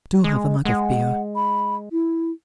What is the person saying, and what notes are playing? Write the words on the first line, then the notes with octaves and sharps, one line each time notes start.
Do have a mug of beer.
G#3
G#3 F#5
B5
E4